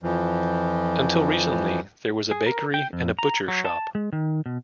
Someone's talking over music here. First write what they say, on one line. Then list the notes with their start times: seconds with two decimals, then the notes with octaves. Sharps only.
Until recently there was a bakery and a butcher's shop.
0.03 F2 E3 F3
2.31 G#4
2.46 A#4
2.74 G5
2.93 F2
3.19 A#5
3.48 F#3
3.65 A5
3.95 G#3
4.13 D#3
4.46 B2